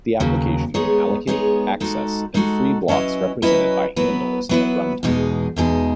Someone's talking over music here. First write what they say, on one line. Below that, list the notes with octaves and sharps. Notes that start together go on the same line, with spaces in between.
The application can allocate, access, and free blocks represented by handles at run time.
D#2 C#3 F#3
G#3 B3 D#4 G#4 C#5
G#3 B3 D#4 G#4 C#5
G#3 D#4 F#4 A4
G#3 D#4 F#4 A4
F#3 C#4 E4 B4 D#5
F#3 C#4 E4 B4 D#5
F#3 B3 E4 B4
F#3 B3 E4 B4
E2 B2 G#3 D#4 G#4
E2 B2 G#3 D#4 G#4